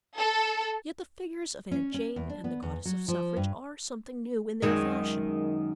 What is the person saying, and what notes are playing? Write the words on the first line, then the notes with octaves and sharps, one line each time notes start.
Yet the figures of Aunt Jane and the Goddess of Suffrage are something new in their fashion.
A4
C#4
C#4
E2
D4
B3
E2
F#3
F3
G2
F#2 D#3 G#3